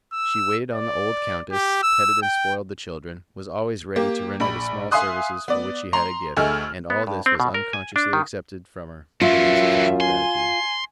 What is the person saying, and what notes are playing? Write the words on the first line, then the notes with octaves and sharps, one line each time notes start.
She waited on the old countess, petted and spoiled the children, was always ready to render the small services for which she had a gift, and all this was unconsciously accepted from her with insufficient gratitude.
E6
D5
G4
E6
G5
A#3 G4
A#1 B5
E5 F5 G#5 C6 D#6 F#6
B3 D5
A#5 C6 F7
D2 A3 G#4 D#5 E6 F6
B3
G2
C4
B2
A#4
G#5
D4
D#3
F#2 E3 C#4 F4 E5
G#5 C6